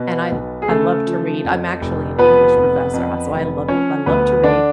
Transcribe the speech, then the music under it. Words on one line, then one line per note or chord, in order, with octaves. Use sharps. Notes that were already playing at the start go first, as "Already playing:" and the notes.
and I I love to read. I'm actually an English professor, so I love I love to read,
Already playing: B2 B3
B1
G#4
C#3 A3 A4
F3
F2
F1
F3 B3 B4
F1
F2
F1
F3 C#4 C#5
D2 B3 B4
D3 D4 D5